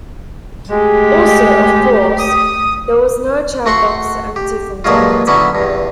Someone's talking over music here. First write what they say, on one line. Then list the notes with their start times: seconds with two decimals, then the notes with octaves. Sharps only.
Also, of course, there was no "chad box" to empty from time to time.
0.70 G#3 A3 G4
2.19 D#6
3.66 A3 F#4 F#5 C6 C#6
4.36 G4
4.84 G2 A#2 F3 F#3 G#3 F4
5.27 D3 F#3 B3 C#4 E4
5.55 E2 G2